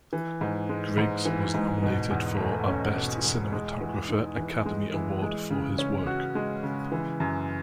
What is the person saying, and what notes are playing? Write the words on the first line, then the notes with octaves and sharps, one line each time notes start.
Griggs was nominated for a Best Cinematographer Academy Award for his work.
E3
G#2
G#3
G#2
E3
G#2
B2
E2
A3
C#4
B2
E2
G#3
E3
D#4
E3
G#3
E3
G#3
C#3
C#4
F#4
G#3
C#3
E3
F#2